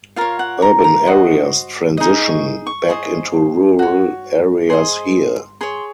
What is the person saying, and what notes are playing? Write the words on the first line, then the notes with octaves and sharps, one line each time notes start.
Urban areas transition back into rural areas here.
F4 A#4 C#5 F5
F#5
A#5
A#5
F#4 C5 D#5
D#4 G#4 D#5
C#6
C#6
G#4 C5 D#5
F#4 C#5
G#4 C5 D#5 C6
G#4 C#5 C6